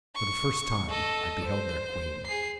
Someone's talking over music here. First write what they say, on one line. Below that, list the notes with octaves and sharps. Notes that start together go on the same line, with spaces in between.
For the first time I beheld their queen.
C#6
A4 D#5
C5
G#4 C7